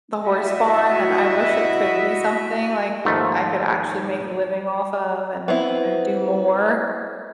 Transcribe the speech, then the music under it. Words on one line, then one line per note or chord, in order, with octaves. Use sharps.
the horse barn and I wish it could be something, like, I could actually make a living off of and and do more.
E4 F#4 D#5 E5
D#2 G#2 F3 A3
B3 C4 E4